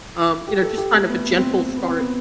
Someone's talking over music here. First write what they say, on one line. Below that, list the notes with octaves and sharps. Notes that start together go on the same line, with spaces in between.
um, you know, just kind of a gentle start,
G4
A4
G4
A3
B3
B3
C4
B3
C4
B3